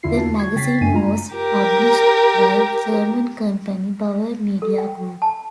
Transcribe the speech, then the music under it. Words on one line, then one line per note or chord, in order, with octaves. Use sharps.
The magazine was published by German company Bauer Media Group.
E2 D3 E4 F4 C7
F#4 A5
C#6 G#6
C#3 G5 A6 B6 C7
F#2 A3 D4 G#5 D#7
F4 A#5
G4 A#4
A4
G5
A5